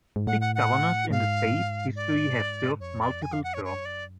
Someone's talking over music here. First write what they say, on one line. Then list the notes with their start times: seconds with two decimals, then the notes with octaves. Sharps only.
Six governors in the state's history have served multiple terms.
0.16 G#2
0.27 A2 F#5
0.41 F#5
0.55 F#5
1.11 G#2 F5
1.95 D5
2.80 F2 C#5
3.01 D5
3.22 G#5
3.32 F5
3.43 F#5
3.54 C#5
3.65 F#2 C#5
3.85 D5